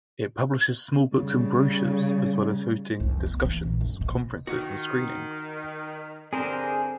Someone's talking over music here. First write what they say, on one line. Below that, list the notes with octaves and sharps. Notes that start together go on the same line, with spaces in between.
It publishes small books and brochures, as well as hosting discussions, conferences, and screenings.
C#3 G3
C2 F2
B3
E3 A#3
A#1
F#2
B2
D#3 F#4
G2 D3 C4 G#4 A#4 C5